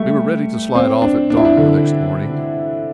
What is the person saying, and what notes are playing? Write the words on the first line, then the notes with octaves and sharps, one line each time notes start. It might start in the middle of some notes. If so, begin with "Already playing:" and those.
We were ready to slide off at dawn the next morning.
Already playing: G3 A3
C4
D4
D4
E4
D4
D3